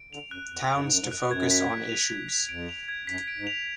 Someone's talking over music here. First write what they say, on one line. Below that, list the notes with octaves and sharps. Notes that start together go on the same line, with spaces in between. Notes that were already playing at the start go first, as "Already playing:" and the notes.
Towns to focus on issues.
Already playing: D7
D3 F7
F#2 F#6
F2 F#6
F#2 D7
G#2
F#2 F7
G#2
F#2
F#6
F#2 G#6
B6
D7
F7
G#6
B6
F2 D7
F7
G#6
F#2 B6
D7
G#2
F7